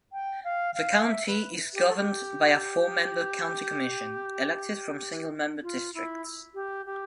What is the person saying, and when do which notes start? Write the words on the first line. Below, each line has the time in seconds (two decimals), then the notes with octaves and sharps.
The county is governed by a four-member county commission, elected from single-member districts.
0.12 G5
0.44 F5
0.74 F5
1.05 E5
1.27 B4
1.74 G4
1.88 A4
1.96 G4
5.63 F4
5.94 E4
6.54 G4
6.86 G4